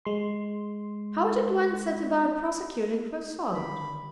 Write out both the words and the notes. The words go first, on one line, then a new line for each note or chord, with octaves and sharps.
How did one set about prosecuting for assault?
G#3 C6
D3 D#3 G3 B5